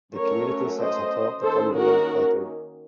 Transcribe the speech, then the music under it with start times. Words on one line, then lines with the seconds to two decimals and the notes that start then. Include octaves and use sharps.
The community sits atop the Cumberland Plateau.
0.15 F#3 A3 C#4 A#4 C#5
0.79 C5 D#5
1.43 D#3 A#3 C#4 A4 C5
1.74 F#4 A#4